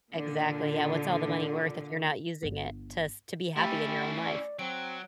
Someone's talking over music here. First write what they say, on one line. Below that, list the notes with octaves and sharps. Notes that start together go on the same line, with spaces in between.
Exactly. Yeah, what's all the money worth if you're not using it to s to be happy in your own life?
A#2 D3
G1 D3
A3 C#4 E4 G4 B5 A6
G4
D5
F#3 C4 D7